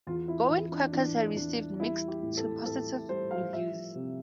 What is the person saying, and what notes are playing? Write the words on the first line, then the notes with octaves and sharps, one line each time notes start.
"Goin' Quackers" has received mixed to positive reviews.
E2 F4
E4
E2
D4
E3 D4
E2 D4
G3 E4
G4
A2
A4
A2 A4
G3 C5
F5
F3 E5
C3